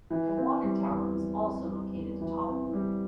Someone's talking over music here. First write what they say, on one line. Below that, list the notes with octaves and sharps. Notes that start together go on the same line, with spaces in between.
A water tower is also located atop the roof.
E3
C4
G3
E2
E3
C4
G3
E2
E3
C4
G3